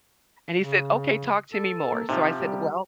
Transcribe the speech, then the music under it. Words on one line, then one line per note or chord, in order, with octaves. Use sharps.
and he said, "Okay, talk to me more," so I said, "Well,"
C#3
A4
A#3
C3 F3 D#4 G#5
G3 G4